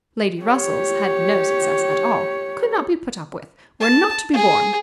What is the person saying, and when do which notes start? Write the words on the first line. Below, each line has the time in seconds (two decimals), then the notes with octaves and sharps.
Lady Russell's had no success at all: could not be put up with, were not to be borne.
0.42 G4 C#5
3.81 A5
4.33 G#4